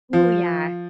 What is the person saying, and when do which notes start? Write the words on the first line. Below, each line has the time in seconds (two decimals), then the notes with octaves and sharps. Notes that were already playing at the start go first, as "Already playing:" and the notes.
Ooh, yeah.
0.13 F3